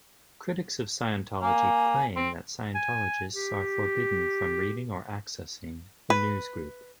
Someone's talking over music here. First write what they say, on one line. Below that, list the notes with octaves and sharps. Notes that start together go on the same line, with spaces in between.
Critics of Scientology claim that Scientologists are forbidden from reading or accessing the newsgroup.
A#3 G#5
C4
G#5
G4
B4